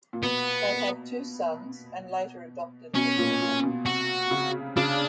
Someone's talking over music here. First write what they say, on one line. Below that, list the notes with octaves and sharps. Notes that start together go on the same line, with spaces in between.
They had two sons and later adopted a daughter.
A#2
B2 B3
B2 C#4
A#2
A#2
B2
C3 F#4
C#3
C#3 D4